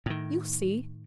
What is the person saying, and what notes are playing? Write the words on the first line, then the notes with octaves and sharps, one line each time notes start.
You'll see.
A2 D#3